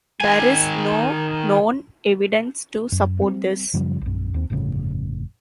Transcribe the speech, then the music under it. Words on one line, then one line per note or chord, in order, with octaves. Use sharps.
There is no known evidence to support this.
D#3 G#5
F#2
G3 C4
F#2 C#3 F3 G3
A#1 F#2
D#2 C4
G1 F2 A2 C#3